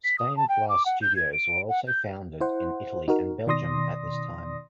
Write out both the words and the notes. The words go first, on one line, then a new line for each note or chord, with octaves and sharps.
Stained glass studios were also founded in Italy and Belgium at this time.
B6
D#6
A5
G5
D6
F#5
G6
G#6
D7
F#5
G6
E4 C5 F#5
D#4 F#4 A#4
B2 D#3 D5 C6 D#6 A#6